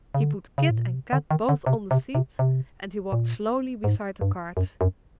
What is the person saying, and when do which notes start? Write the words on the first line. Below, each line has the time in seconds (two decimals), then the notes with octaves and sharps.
He put Kit and Kat both on the seat, and he walked slowly beside the cart.
0.14 C#3
0.22 D3
0.58 C#3
0.70 A2
0.77 A#2
0.87 B2
0.94 C3
1.13 D3
1.31 D#3
1.49 D3
1.66 C3
1.91 C3
2.15 C3
2.39 C3
3.12 A#2
3.84 G#2
4.21 G2
4.57 F#2
4.81 F#2